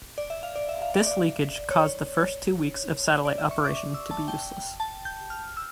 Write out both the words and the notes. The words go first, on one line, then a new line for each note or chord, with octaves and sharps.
This leakage caused the first two weeks of satellite operation to be useless.
D5
E5
F5
D5
E5
F5
D5
D5
C#5
D5
E5
C#6
D6
D6
E6
A5
G5
A5
G6
F6
E6